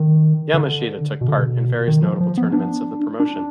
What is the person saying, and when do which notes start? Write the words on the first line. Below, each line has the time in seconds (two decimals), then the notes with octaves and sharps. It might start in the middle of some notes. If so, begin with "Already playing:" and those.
Yamashita took part in various notable tournaments of the promotion.
Already playing: D#3
0.54 D3
1.21 B2
1.28 D3
1.38 B2
1.88 D#3
2.03 F3
2.21 F3
2.37 B3
2.53 D4
3.20 D4